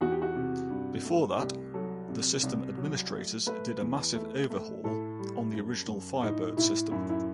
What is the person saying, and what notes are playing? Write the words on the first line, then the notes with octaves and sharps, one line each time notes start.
Before that, the system administrators did a massive overhaul on the original Firebird system.
E2 F#4
G4
F#4
C3
G2
A3
C2 G4
F#3 A4
C3
C2
F#3
A3
A3 B4
E2
A3
A3
A2 A4
G3
F#2
F#2
A2 D#4
A2 E4
F#2 E4
E4